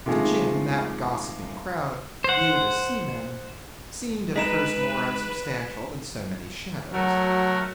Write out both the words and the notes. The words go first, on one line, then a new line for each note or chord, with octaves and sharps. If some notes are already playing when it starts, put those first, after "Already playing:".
To Jim that gossiping crowd, viewed as seamen, seemed at first more unsubstantial than so many shadows.
C3 D#3 F3 G#3 A3
C5 F#5
G#3 D#4 B4 B6 D7 E7
F#3 A3 F#4 A#4